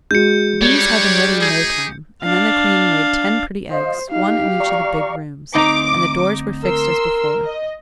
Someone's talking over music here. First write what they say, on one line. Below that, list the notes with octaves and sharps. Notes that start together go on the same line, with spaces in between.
The Bees had them ready in no time, and then the Queen laid ten pretty eggs, one in each of the big rooms, and the doors were fixed as before.
G#3 F#4 G6 C#7
G3 D4 D#4 C#5
D#4 G4 G#4
D4 F5
C5 D#5 F5
D#4 G4 F5
D5 A#5 C#6
D2 C4 D#4 A#5 D6
A#4 C6 E6
D#5